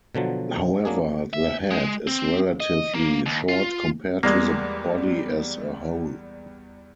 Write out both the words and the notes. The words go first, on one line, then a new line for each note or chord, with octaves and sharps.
However, the head is relatively short compared to the body as a whole.
B2 D3 F3 F#3
F#3 A#3 D4 G#4
E5
G#3
C4
D#5
A#3
D#2
F4
E2 G3 G#3 A#3